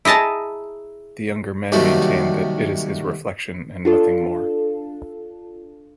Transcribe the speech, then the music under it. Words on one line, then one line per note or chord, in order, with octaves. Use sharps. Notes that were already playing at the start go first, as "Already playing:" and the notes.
The younger men maintain that it is his reflection and nothing more.
E4 G#4 D#5 A5 A#5
D#2 C3 F#3 G3 A3
D4 F4 A4